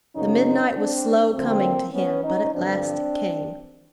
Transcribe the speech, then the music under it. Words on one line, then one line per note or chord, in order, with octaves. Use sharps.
The midnight was slow coming to him; but at last it came.
F#2 C#3 F3 C#4 D#4
C4 D4
D2 D3 F3 A#3 C4
B3 C#4
C#4 D#4
G2 D3 F3 C4 D4